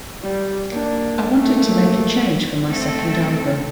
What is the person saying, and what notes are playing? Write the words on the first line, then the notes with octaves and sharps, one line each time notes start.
I wanted to make a change for my second album.
G3
A#3 D4
A3 A#3
A3 C4 A4